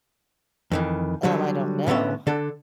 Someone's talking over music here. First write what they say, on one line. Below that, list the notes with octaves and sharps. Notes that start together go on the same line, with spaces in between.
Um, I don't know.
F2 D#3 E3
D3 F#3 G3
A2 D3 B3 C#4 E5
D3 D4 A4